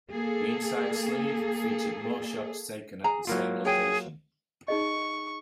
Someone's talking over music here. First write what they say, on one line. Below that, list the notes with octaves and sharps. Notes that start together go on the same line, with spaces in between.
The inside sleeve featured more shots taken at the same location.
A#3 G#4 A4
G#4 A#5
F#3 A#3 E4 F4
G#4 C#5 G5
D#4 G#4 D#5 C#6